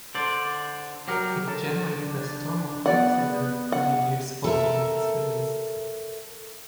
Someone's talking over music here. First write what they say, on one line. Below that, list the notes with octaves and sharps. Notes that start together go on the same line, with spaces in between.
It "generated a storm of criticism in the years following its release".
D3 C5 D5
F#3 G4 A#4
A4
D4
B3 D5 F#5
F#5
A4 A#4 E5